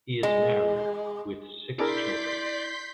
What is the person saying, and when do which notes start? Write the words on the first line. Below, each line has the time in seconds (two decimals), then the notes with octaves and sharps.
He is married with six children.
0.23 G#3
1.79 D4 E4 G#4 A#4 D5 C6 G6 B6